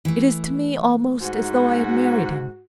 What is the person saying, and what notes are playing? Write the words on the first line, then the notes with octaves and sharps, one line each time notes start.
It is to me almost as though I had married him.
E3 A3
G#2 F#4